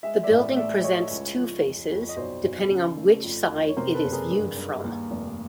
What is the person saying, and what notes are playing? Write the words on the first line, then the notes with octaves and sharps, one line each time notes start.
The building presents two faces, depending on which side it is viewed from.
G#3 E5
D5 E5
A1
A3 D5 E5
A3 C#5 D#5
C#2
F3
F2
F2
D#5
B1 C5 D5
B1
C#3
A3
F2
F2
C#5
C3 A#4 C5
A4 B4
F#1
G#4 A#4
G2
G2
D#2
F1